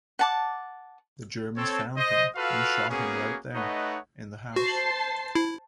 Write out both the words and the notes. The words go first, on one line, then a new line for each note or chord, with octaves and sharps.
The Germans found him and shot him right there, in the house.
F#5 A5 D6
C4 A4 C#5
C5 D#5
F4 F#4 A4 B4 F5
A#3 B3 C#4 F#4 G#4
A3 D#4 B4 C#5 D#5 F#5
F#4 C5 A5 C7
E4